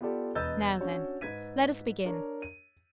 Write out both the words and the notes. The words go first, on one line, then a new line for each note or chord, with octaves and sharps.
Now then, let us begin.
B3 F4 G4 A4 D5
E1 B4 D#5 E6 G6 A6
C#4 D4 F#4 C#5
G#2 B4 G#6 B6 D#7
D4 A#4 C#5
D#7